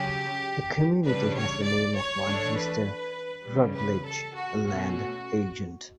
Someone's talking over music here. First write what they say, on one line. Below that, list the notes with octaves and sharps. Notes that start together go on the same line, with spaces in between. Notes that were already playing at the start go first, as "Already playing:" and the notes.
The community has the name of one Mr. Rutledge, a land agent.
Already playing: C#3 F#3 C#4 G4
C#3 E3 G3 D4 B4
C#5
D5
C#5
E3 A3 D4
B4
C#3 E3 G3
B4
A4
F#4
B2 A3 C#4 F#4